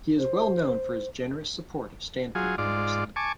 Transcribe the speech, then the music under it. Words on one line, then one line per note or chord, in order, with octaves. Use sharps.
He is well known for his generous support of Stanford University.
C5
F#3 F4 G#4
G#2 F4 D5
G#5 A5 C#6 D6